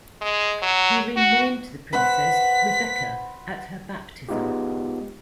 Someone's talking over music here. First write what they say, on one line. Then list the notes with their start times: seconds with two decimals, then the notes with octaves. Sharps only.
He renamed the princess "Rebecca" at her baptism.
0.21 G#3
0.62 F#3
1.16 F#4
1.93 B4 C5 F#5 B6
4.29 G#3 B3 D#4 F4 G4